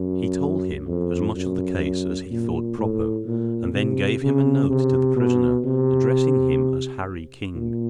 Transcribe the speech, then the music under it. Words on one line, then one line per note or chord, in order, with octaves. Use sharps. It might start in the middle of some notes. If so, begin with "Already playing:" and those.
He told him as much of the case as he thought proper, and then gave him a note to the prisoner, addressing him as Harry King.
Already playing: F#2
F2
F#2
A#2
A2
A#2
C3
C#3
C3
B2
C3
A#2